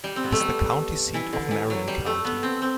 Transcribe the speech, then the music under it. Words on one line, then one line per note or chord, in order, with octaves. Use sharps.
It is the county seat of Marion County.
G3
C4
B3
A3
G3
E3
D3
E3
F#3
G3
A3
B3
C4
C4